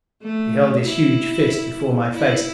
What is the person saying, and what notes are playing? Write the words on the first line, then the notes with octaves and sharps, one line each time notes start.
He held his huge fist before my face.
A3
E4
E4